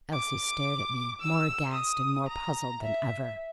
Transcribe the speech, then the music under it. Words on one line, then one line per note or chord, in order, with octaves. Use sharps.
Elsie stared at me, more aghast and more puzzled than ever.
D6
E6
D#6
A#5
E5